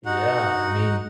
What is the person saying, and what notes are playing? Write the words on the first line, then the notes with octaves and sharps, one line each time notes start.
Yeah, I mean
D#4 F#4 F#5